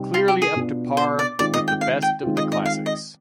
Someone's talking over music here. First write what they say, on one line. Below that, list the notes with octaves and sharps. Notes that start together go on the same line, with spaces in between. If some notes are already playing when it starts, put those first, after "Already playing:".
Clearly up to par with the best of the classics.
Already playing: C3 G3 C4 D#4
F4
G4
G#4
B2 B3 D4 F4
C5
D5
D#3 G#3 C4 F4 D5
D#5
G5
F5
G5
D#3 G#3 C4 F4
D#5
D#5
F5
D#5